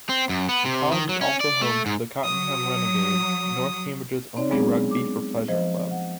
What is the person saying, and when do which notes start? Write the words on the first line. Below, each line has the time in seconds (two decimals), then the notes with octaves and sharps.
The college is also home to the Cottenham Renegades, north Cambridge's only rugby-for-pleasure club.
0.09 C4
0.29 F#2
0.49 B3
0.65 C3
0.91 D#3
1.09 F#3
1.21 C#4
1.41 D5
1.62 A3
1.86 G#2
2.24 F#3 D#6
4.37 C4 D#4 C#5 D5
4.51 F#3 G#3 B3 C4 D4 G#4
4.91 D6
5.48 F3 C5 D#5
5.91 F#5